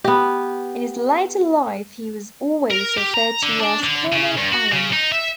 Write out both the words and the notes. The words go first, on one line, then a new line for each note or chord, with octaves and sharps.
In his later life he was always referred to as Colonel Allen.
B3 G4
A#4
G4
A#5
D3
D4
D3
C#3
G2
F#4
C#3
D#4
E5